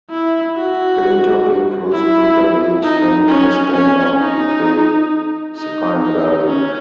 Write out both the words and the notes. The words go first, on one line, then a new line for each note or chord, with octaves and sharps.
Kennyetto Creek flows through the village, running west, then north, to Great Sacandaga Lake.
E4
F#4
E4
D#4
C#4
C#4
D#4
D#4
D#4
C#4